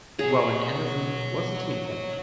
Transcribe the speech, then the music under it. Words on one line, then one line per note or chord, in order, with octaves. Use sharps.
Warren Anderson was the team captain.
B2 G#4 C#5 F#5